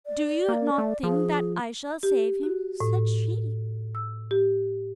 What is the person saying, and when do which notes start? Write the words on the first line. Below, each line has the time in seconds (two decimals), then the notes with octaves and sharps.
"Do you not think that I shall save him?" said she.
0.06 D5
0.48 A#3
0.78 A3
1.03 F3 G#4
2.03 G4
2.43 F#4
2.80 A2
3.95 E6
4.31 G4